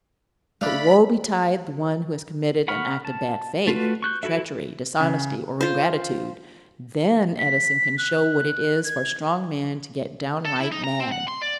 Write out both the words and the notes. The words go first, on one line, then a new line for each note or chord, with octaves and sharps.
But woe betide the one who has committed an act of bad faith, treachery, dishonesty, or ingratitude; THEN Edison can show what it is for a strong man to get downright mad.
A3 D4 D5 F5 B5
F#5 B5 C#6 F6
A5
A3 F4 F#4 B4
C#6 F#6 G6
E4 F#4 A4 E5
C#3
F4 C5
B6
F#6
G#6
A4
E4
D#4
A#5
C4
F#5
C6
D5